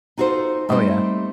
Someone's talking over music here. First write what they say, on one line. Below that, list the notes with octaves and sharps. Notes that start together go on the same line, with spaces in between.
Oh, yeah.
D#4 F4 F#4 A4 C5
G3 A3 A#3 C4 D#4